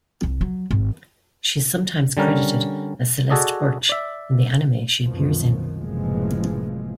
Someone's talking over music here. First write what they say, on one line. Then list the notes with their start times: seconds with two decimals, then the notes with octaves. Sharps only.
She is sometimes credited as Celeste Burch in the anime she appears in.
0.23 C2
0.41 F#3
0.71 G#1
2.17 D3 G3 C#4 A#4
3.30 F#4 G#4 A4 D5 D#5
3.89 D5 E5
5.07 C2 F#2 B2 D#3 F3
5.80 F#1 A2 C3 E3 F3 G#3